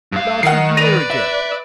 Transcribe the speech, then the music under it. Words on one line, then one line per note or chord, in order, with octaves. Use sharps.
"About a year ago."
G2 F5
D#3 F#5 C7
B4 D5 A#6 D#7 F7
E5